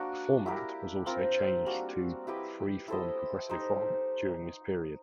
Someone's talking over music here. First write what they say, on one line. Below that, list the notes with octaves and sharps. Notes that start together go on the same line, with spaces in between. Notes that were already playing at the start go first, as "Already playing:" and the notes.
The format was also changed to "free-form progressive rock" during this period.
Already playing: A#3 D4 F#4
E4 G4 A#4
C4 F4 A#4
G3 A#3 D4 F#4
E4 G4 B4 D#5
E4 A4 C5 D#5
D#4 G4 C5